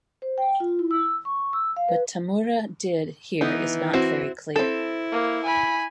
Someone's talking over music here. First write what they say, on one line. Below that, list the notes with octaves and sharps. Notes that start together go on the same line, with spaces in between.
What Tamura did here is not very clear.
C5
G5
F4
E4
E6
C#6
E6
F5
B4
E3 B3 D#4
C4 E4 F#4
C4 E4 A4
A#3
G#5 B5